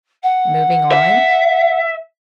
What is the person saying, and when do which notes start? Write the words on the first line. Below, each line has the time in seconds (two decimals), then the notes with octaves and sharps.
moving on.
0.23 F#5
0.92 E5